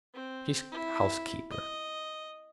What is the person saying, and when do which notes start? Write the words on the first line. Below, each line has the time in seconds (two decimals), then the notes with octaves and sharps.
She's housekeeper.
0.14 C4
0.72 E4
1.51 D#5